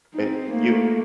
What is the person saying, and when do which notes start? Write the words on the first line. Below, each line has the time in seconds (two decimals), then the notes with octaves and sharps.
eh you
0.14 C4 D#4
0.48 A3 A#3